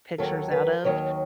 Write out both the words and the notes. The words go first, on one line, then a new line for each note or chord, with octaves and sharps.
pictures out of.
D#2 D#3 F#3 A4
B4
D#2 D#3 F#3 C#5